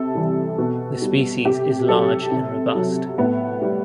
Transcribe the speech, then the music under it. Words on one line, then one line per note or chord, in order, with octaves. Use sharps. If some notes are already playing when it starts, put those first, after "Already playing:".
The species is large and robust.
Already playing: C3 A4
E3 G3
B2
G3
C3 G4
F#3 A4
C3
F#3
A2 B3
G3